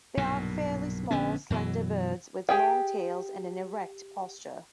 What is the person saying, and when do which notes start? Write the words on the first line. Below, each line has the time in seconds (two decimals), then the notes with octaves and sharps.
They are fairly small, slender birds with long tails and an erect posture.
0.17 B1 G2 A#2
1.11 A#1 D3 B3 C#4
1.50 F#2 B2 E3 F#3
2.49 G4 G#4 G5